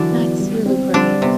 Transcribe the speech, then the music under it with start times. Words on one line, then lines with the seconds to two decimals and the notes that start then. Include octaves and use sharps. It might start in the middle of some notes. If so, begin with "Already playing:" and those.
That's really great.
Already playing: D3 E3 F#3 D4
0.11 B3
0.39 G3
0.66 C4
0.94 D3 G3 D4
1.22 C3 B3